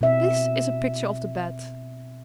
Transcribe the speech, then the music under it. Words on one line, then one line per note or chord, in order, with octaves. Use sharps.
This is a picture of the bed!
B2 C4 E5